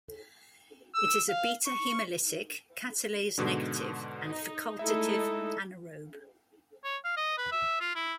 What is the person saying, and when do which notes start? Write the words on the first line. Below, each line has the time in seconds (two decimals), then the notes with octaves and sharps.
It is a beta-hemolytic, catalase-negative, and facultative anaerobe.
0.95 E6
1.29 F5
1.66 C#6
3.38 G#2 B2 D3
4.24 D#4
4.79 G#3 A3 D#4 E4 A4 E5
6.84 C#5
7.04 F5
7.17 D#5
7.38 B4
7.52 E5
7.81 F4
7.96 E4